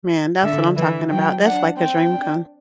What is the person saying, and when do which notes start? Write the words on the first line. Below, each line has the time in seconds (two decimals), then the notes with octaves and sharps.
Man, that's what I'm talking about, that's like a dream come
0.43 D3 E5
0.76 E3 E5
1.10 F#3 G5
1.44 D4 F#5
1.77 C4 G5
2.12 D4